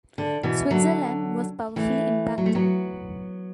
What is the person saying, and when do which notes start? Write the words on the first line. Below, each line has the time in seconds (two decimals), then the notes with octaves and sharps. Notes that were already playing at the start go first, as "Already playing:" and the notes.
Switzerland was powerfully impacted.
0.18 D3
0.43 B2 E3
0.70 D3 F#3
1.76 E3 A3
2.38 F#3
2.46 A3
2.55 F#3 B3